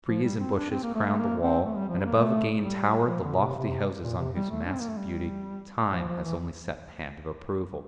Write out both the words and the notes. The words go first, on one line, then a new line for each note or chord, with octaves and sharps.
Trees and bushes crowned the wall, and above again towered the lofty houses on whose massive beauty Time has only set the hand of approval.
F3
G3
C4
D4
C4
A#3
A3
A3
A#3
C4
A3
G3
F3
G3
A#3
A3
G3
F3
D3
A#2
C3
C3
A#2
C3
G3
A3
D4
C4
A#3
A3
G3
F3
F3
E3